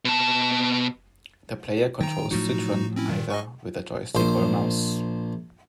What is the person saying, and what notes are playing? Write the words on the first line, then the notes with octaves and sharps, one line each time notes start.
The player controls Cytron either with a joystick or a mouse.
B2 A5
D#3 G5 A#5
A2 F3 F#3 D#4 F#4
C4 C#4 E4
A#2 D#3
D#5 G#5 C#6
A#1 C5